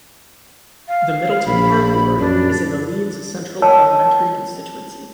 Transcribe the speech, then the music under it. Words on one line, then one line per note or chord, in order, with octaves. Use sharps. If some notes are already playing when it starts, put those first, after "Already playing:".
The Middleton Park ward is in the Leeds Central parliamentary constituency.
F5
A#1 B5
F#2 D4
A#4 C#5 G5 A5